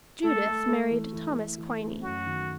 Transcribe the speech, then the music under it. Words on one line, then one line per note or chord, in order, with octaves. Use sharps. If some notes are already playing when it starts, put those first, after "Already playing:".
Judith married Thomas Quiney.
A3 A4
A3
A3
E3
E3
A3
E3
A3
F#2 F#4
D#3